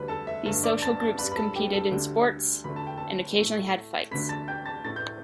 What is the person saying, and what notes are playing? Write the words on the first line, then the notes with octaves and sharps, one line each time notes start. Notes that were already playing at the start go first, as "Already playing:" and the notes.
These social groups competed in sports and occasionally had fights.
Already playing: D2 D3 G3 B4 B5
A4 A5
E5
G2 D3 A3 A4 A5
D5 D6
A5 A6
A5 A6
G2 G3 B4 B5
B5
A4 A5
G4 G5
A4 A5
D2 D3 G3
D2 D3 A3 B5
A5
G5
A4 A5
A2 A3
D2 D3 A3 B5 B6
A5 A6
G5 G6
A5 A6
A2 A3 A6
G6